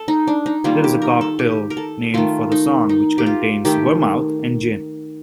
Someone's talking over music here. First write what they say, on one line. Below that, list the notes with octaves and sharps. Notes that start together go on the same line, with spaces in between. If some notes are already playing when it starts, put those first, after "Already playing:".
There is a cocktail named for the song, which contains vermouth and gin.
Already playing: A4
D#4
D4
D#4
D#3 G3 A#3 F4
G4
A#4
A4
G4
A#4
A4
D#3 A3 F4
D#4
D#4
G4
F4
D#3 A3 G4